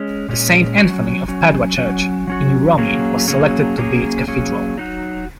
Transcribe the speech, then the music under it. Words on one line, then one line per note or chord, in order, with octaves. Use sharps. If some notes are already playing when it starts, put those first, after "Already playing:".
The Saint Anthony of Padua church in Uromi was selected to be its cathedral.
Already playing: G#3 C#4
A#2 G#3 C#4
F#3 C#4 F#4
F#3 C#4 F#4
F#3 C#4 F#4
F#3 C#4 F#4
F#3 A#3 C#4 G#4
F#3 A#3 C#4 G#4
F#3 A#3 C#4 G#4
F#3 A#3 C#4 G#4
F#3 D#4 F#4